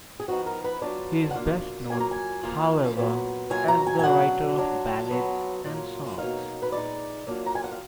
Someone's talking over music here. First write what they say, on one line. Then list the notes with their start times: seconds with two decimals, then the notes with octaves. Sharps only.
He is best known, however, as the writer of ballads and songs.
0.20 G#4
0.28 F3 B3 D#4 F#4
0.46 A#4
0.64 B4
0.82 F#3 B3 D4 F4 D5
1.31 F#5
1.35 B2 A#3 D4 F4 F5
1.90 F#3 A#3 F4 G#5
2.00 A#5
2.11 G#5
2.43 F3 A#3 F4
2.97 A#2 F#3 B3
3.50 B2 F#3 A#3 F4 G#5
3.68 A#5
3.87 G#5
3.99 G#5
4.03 B2 F#3 D4 F#5
4.58 F#3 D4 F4
5.11 F#3 B3 F4
5.65 A#2 F#3 A#3 F4
6.18 B2 F#3 A#3 D#4 F5
6.62 B4
6.72 A#2 G#3 D#4 D5
7.27 F#3 A#3 D4 F4
7.46 A#5
7.55 G#5
7.64 F#5
7.72 F5